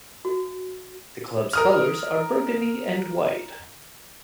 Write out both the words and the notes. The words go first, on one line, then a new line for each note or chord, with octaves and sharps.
The club's colors are Burgundy and White.
F#4
A#4 D#6 F6